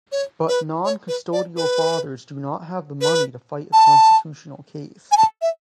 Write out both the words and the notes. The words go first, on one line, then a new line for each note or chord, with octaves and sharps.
But non-custodial fathers do not have the money to fight a constitutional case.
C#5
B4
C#5
B4
D5
B4
B4
A5
G#5
A5
E5